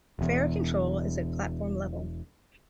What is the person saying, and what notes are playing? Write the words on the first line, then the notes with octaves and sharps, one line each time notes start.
Fare control is at platform level.
E1 E2